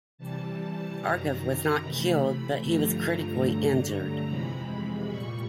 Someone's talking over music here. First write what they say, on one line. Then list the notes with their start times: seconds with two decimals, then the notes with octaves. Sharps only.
Argov was not killed, but he was critically injured.
0.18 C3 E3 G3 A5
1.00 F#2 D#3 F#3 A#5
1.81 C3 E3 A3 B5
2.22 B5
2.62 G2 D3 F3 A3 A#5
3.43 G2 D3 F#3 A3
4.25 F2 C3 E3 G#3 B5
5.07 A#2 G3 C#6